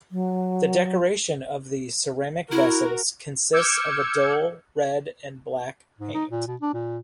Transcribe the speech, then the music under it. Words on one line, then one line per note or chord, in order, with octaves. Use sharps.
The decoration of these ceramic vessels consists of a dull red and black paint.
F#3
E4 F#4 A#4
D6 E6 F6 G6 G#6 C#7
G#2
D#4
A#2
B2
D4
A#2